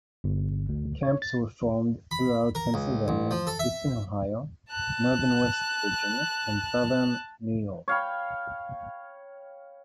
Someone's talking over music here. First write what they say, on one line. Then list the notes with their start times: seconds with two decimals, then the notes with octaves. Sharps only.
Camps were formed throughout Pennsylvania, Eastern Ohio, Northern West Virginia and Southern New York.
0.24 G1
0.69 D2
1.03 C#5
1.22 A6
2.11 B5
2.55 A#4
2.74 C#2
3.08 A1
3.31 F3
3.47 A4
3.59 E5
4.70 A5 F#6
7.88 C#5 F5 G5 B5